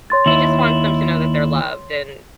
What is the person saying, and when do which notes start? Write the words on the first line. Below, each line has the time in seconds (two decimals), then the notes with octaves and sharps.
he just wants them to know that they're loved and
0.10 C#5 C6 A6
0.26 D#2 E4